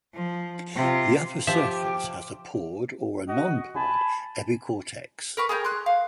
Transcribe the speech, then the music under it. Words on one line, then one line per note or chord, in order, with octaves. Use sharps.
The upper surface has a pored or non-pored epicortex.
F3
C3 F4
F3 G4 E5 G5 D6
F#4 D#5
G#5 A5 B5
A#4 B4 C#6
G#4 A#4 F5 G5
C6 F#6
F5